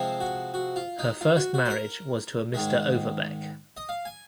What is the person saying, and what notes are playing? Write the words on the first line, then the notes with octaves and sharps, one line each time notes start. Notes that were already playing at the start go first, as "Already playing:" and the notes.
Her first marriage was to a Mr. Overbeck.
Already playing: C3 F3 G#3 C4
F#4
F#4
F4
D#4
F4
F#4
F#4
C5
A#4
G#2 D#3 G#3
D#5
F5
G#5